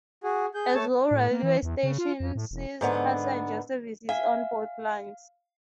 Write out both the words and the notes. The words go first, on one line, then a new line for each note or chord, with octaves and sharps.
Ezhou railway station sees passenger services on both lines.
F#4 G#4
G#4 G6
A3 A4 C#5 A5
A2
A#3
E3
E2
C#3
F4
F2
A2
E1
G#2 D3 B3
E5 F5 G#5